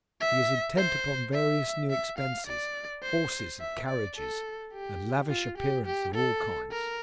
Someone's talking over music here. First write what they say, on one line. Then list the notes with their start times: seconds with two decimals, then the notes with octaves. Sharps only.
He is intent upon various new expenses,--horses, and carriages, and lavish appearances of all kinds.
0.20 E5
0.77 C5
1.34 E5
1.90 E5
2.18 F5
2.47 D5
3.03 C5
3.60 E5
3.88 D5
4.17 A4
4.73 G4
5.29 F4
5.58 G4
5.86 G4
6.15 A4
6.71 A#4